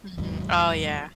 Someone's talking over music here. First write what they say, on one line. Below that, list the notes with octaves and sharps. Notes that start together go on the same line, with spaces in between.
Mhm. Oh, yeah.
E1 D#2 G#2 F#3